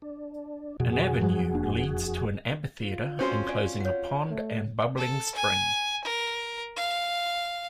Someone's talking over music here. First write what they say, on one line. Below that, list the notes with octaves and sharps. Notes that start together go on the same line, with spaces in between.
An avenue leads to an amphitheatre enclosing a pond and bubbling spring.
D4
F2 B2 F#4 G#4
F3 F#3
E1 A#3 D4
F4
C4 C#4 F#4 C5 F5 G5
D5 G#5
C#5 F#5
A3
A4
G#5
A#4
F5